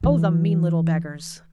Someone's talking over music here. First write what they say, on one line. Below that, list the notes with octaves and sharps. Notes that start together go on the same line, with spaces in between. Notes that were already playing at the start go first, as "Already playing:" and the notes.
"Oh, the mean little beggars!"
E3